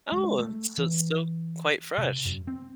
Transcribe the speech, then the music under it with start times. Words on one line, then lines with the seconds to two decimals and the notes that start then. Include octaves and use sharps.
Oh, so still quite fresh.
0.12 G#3
0.39 A3
0.78 E3
1.98 C3
2.25 F#2
2.47 C4